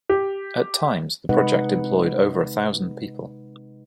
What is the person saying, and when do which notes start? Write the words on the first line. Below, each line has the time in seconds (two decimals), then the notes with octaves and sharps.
At times, the project employed over a thousand people.
0.09 G4
1.29 C3 G#3 D#4 B4 D#5 F#5